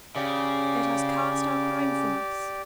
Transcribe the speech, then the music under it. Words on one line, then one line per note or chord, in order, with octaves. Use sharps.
Let us cast our crime from us.
C#3 G4 D5